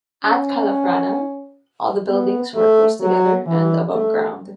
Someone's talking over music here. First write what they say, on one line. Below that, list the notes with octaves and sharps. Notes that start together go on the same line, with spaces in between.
At Kalafrana, all the buildings were close together and above ground.
C#4
B3
A3
F#3
E3
A3